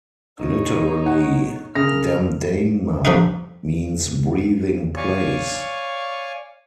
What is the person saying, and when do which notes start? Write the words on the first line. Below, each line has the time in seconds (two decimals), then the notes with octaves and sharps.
Literally, "Damdama" means "breathing place".
0.39 D#4 C#5
1.06 F#5
1.75 C#3 A#4 D#6 F6 A#6
3.05 F2 G3 D4 D#4
4.97 C#5 D5 F5 G#5 C#6